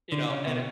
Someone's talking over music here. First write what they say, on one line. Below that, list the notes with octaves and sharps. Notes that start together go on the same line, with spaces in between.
you know and
D3
C#3
B2